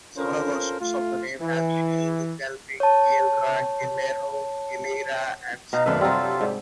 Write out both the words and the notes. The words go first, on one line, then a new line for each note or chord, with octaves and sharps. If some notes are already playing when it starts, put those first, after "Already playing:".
Several versions of the name have been used: "Gelre, Gielra, Gellero, Gelera" and similar.
C#4 F4 A4 A#4 C5
A3 F4
E3
C#5 A5
B2 D#4 F5 A#5
G#1 F#2 A3 D4 B4 F5 E6
C3 F#3 G3 C4 F4 A4 F5
G#2